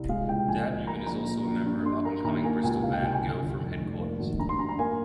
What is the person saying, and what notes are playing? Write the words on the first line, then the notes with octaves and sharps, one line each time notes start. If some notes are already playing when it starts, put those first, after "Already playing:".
Dan Newman is also a member of up-and-coming Bristol band Girl From Headquarters.
Already playing: C2
G#3 F5
C#2 G5
A#1 G#5
A#1
A#3 A#5
A#1 A#5
A#1
A#1
G2
G2 C6
A#3 A#5
D#2 A#5
A#3 G#5
C#2 G#5
C2 F5
G5
C2 G#5
G#5
G1
G1
F1
F1
A#3
G#1
G2 A#5
C6
G2 A#5
A#5
A#3 G#5